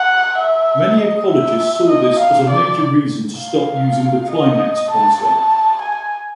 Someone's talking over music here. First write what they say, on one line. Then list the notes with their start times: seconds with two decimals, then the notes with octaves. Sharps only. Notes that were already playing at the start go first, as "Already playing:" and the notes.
Many ecologists saw this as a major reason to stop using the climax concept.
Already playing: F#5
0.38 E5
0.98 D#5
1.28 E5
1.89 D#5
2.19 F5
2.50 D5
3.40 F5
4.31 D#5
4.91 A5
5.22 A5
5.82 G#5